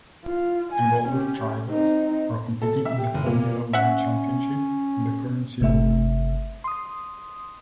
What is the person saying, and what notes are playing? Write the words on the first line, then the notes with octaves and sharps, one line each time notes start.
Embolded drivers are competing in the Formula One championship in the current season.
F4
G#5
C#4 G4
C4 D#4
A4
E5
G4
F#1
A#2
C#4 E5 F#5
G1 C3 A3 E5
C6 D#6